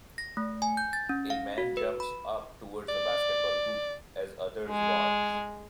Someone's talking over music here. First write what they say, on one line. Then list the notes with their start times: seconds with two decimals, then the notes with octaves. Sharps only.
A man jumps up towards the basketball hoop as others watch.
0.18 A#6
0.37 A3
0.62 G#5
0.77 G6
0.93 A6
1.09 C#4
1.30 F5
1.58 F#4
1.77 B4
2.00 B5
2.89 D5
4.69 G#3